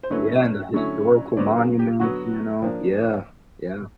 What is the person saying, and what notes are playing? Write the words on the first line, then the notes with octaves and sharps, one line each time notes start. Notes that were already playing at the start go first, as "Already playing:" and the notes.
Yeah, and the historical monuments, you know, yeah, yeah.
C5
D3 F#3 A3 C#4 E4 B4 C#5
D3 F#3 A3 C#4 E4
C#5
D3 F#3 B3 C5 D5
G#4 A#4
G4
D3 F#3 B3 F#4
F3 A#3 D4